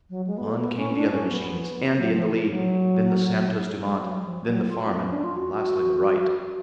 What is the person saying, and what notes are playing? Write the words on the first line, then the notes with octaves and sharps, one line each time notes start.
On came the other machines, Andy in the lead, then the Santos-Dumont, then the Farman, and lastly the Wright.
F#3
G#3
B3
A3
B3
C#4
D4
C#4
B3
F#3
F3
F#3
G#3
F#3
F3
F#3
F4
B3
C#4
D4
F4
F#4